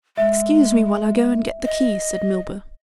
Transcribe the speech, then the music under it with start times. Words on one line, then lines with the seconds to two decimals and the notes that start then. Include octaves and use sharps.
"Excuse me while I go and get the key," said Milburgh.
0.17 G#3 E5
1.64 D#5